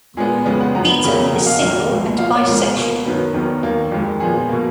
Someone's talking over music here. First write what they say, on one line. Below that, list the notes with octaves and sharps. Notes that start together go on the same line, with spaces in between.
Beaton is single and bisexual.
A#2 G#3 B3 G#4
F2 C#3 G#3 B3 B4
F#5
F#2 F3 B3 A#5
B5
F2 C#3 F#3 A#3 B5
A#5
B2 A#3 F#5
F5
F2 D#3 F#3 F5
C#2 B2 G#3
A#2 F3 A#3 F5
C#5
C#2 B2 G#3 A#4
B2 A#3
F#2 D#3 F#3 B3 B4
D#2 D#3 F#3 B3 A#4
D#2 D#3 A#3
F2 D#3 G#3
A#2 F3 B3 G#4
B2 A#3